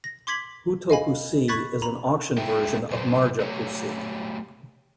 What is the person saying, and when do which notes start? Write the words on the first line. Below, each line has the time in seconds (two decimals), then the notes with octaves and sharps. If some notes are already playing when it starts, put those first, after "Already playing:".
Huutopussi is an auction version of Marjapussi.
0.04 A#6
0.27 C6 D6 G#6 B6 F#7
0.90 D#5 F5 G#5 B5
1.48 B5 C#6 F#6 G#6 A6 B6
1.82 A#5 B5
2.38 G#3 A3 F4 E5 G5
2.90 A#2 F#3 B4 C5
3.40 F#3 A3 G4 C#5